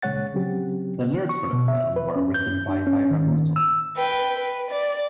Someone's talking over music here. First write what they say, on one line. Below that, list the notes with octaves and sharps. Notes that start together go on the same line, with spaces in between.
The lyrics for the film were written by Vairamuthu.
A#2 C#3 G#3 C#5 F#5 A6
C#3 F#3 C4 G4
C#6
B2
E5
B4
C#4
G6
D4
C#4
D#3
E6
B4 G5
B4
D5